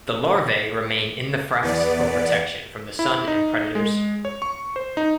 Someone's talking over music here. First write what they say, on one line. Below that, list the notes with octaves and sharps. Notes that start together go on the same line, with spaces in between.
The larvae remain in the frass for protection from the sun and predators.
E2 B3 D5
E4
D#4
G#3
C#5
C#6
C5
D#4